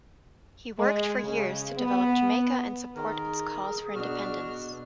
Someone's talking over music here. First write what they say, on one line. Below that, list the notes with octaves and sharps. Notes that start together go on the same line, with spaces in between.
He worked for years to develop Jamaica and support its cause for independence.
G#3
C#3
B3
D#3 G#4 A#4
B2 D4 F#4 F6